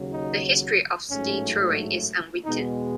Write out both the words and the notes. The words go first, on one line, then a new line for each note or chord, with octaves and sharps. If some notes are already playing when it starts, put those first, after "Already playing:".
The history of ski touring is unwritten.
Already playing: D#2 C#3 F#3
D#4
A1 G#2 F#3 A3 C#4
E2 B2 G#3 B3 D#4